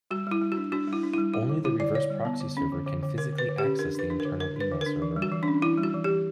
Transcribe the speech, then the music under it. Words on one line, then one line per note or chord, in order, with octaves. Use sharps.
Only the reverse proxy server can physically access the internal email server.
G3 F#4
G3 E4
G3
F#4
D4
D4 F#4
G3
E4
D4
G3 E4
G3 E4
D3
D3 E4
D3 D5
D3 C#5
G3
B3
D3
C#4
D3
D3
D3
D3 A#4
D3
B4
D3
G4
C#4
D4 A#4
D4 B4
D4
A#4
D3
D3 A#4
D4 B4
D3
A#4
D4
E3
G3
F#4
E3
C#4 D4
E3 E4
G3
F#4
E3
E3 G4